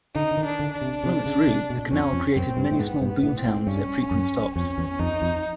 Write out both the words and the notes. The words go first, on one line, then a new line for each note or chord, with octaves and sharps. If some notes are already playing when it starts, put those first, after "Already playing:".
Along its route, the canal created many small boomtowns at frequent stops.
D3 D#4
D3
D#3
D4
D3
D4
C3
C3
C#3
C3
B2
F2 C#4
F2
F#2 C4
G2
A2
G#2 B3
G2
B3
A2
C4
A2
G2 C#4
F#2
F2 C#4
E2
F2 D#4
F2